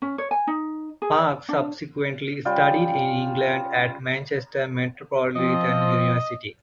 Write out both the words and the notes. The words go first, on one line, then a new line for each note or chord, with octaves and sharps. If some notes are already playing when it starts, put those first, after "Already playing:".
Parkes subsequently studied in England at Manchester Metropolitan University.
C#4
C#5
G#5
D#4
G#4
D5
D4
C#3 G3 F4 G5
F3 C4 D#5